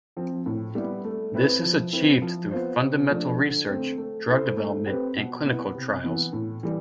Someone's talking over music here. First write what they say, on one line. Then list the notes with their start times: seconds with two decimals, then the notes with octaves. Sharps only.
This is achieved through fundamental research, drug development and clinical trials.
0.17 F3 C4
0.46 A2
0.75 G3 B3 E4
1.05 A3
1.34 C4 E4 B4
1.63 F3
1.93 C4 E4 B4
2.22 F3
2.51 B3 F4 C5
2.81 C3
3.10 F3 A3 D4 A4
3.40 D3
3.68 A3 C4
3.98 A3
4.28 E4 A4 C5
4.57 A3
4.86 C4 G4 B4
5.17 B2
5.46 B3 E4
5.75 C3
6.04 E3 B3
6.33 A2
6.63 E3 G3